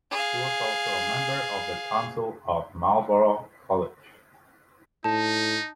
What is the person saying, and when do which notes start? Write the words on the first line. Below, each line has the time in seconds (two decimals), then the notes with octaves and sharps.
He was also a Member of the Council of Marlborough College.
0.11 G#4 F5
5.04 A2 D#4 A5